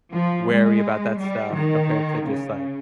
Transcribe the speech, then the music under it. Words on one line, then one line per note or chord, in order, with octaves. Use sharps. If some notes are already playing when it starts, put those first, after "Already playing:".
wary about that stuff compared to just, like
F3
G#3
G3
D#3
C#3